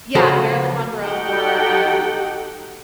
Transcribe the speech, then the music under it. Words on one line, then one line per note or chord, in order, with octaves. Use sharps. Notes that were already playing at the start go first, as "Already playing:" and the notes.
yeah, Marilyn Monroe more, um,
C#3 F3 F#4 G#4 A4 C5
D#4 F#4 G4 A4 F#5 G5